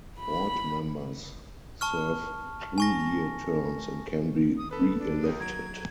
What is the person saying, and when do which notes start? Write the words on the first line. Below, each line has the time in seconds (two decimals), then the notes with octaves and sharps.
Board members serve three-year terms and can be reelected.
0.20 B5
1.81 A5 C#6 F6
2.78 G#5 C#6 A#6
4.57 D#6
4.71 A4 B4 B5
4.98 D4
5.24 C#2 D#4 D#6
5.40 F#3 A#5 G#6 D7